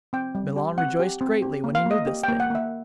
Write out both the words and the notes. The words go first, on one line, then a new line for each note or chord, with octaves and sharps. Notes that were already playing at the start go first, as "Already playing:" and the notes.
Milon rejoiced greatly when he knew this thing.
C4 G5
G3
G4
C4 F#5
G4
C4
G4
A#3
F5
A#3
D#5
G4
A#3 G5
F#5
A#3 E5